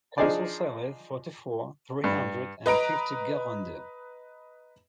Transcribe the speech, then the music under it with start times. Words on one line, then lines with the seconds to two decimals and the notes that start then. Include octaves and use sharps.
Consuls Alley, forty-four, three hundred and fifty Guérande.
0.18 F3 D4 D#4 G#4 C5 D5
2.04 G2
2.66 B4 D#5 A#5 D7